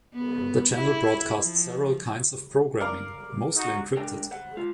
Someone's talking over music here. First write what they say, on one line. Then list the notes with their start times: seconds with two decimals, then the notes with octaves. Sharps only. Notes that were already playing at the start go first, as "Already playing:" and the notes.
The channel broadcasts several kinds of programming, mostly encrypted.
0.14 B3
0.75 E4
1.41 F3
2.80 A#4 D5 F5
3.56 D#4 F#4
3.97 G#2 D4 A#4 D5 G5
4.31 C5 F#5
4.57 G#3 F4